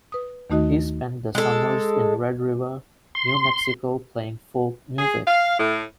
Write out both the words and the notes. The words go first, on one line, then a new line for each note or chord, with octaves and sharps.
He spent the summers in Red River, New Mexico playing folk music.
B4 D#6
D#2 D#3 A3 D#4 F#4 D#5
G#3 A4
C6
G#4
F5
A2